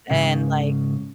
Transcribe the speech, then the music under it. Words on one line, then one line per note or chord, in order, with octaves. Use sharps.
and, like
G#2 C#3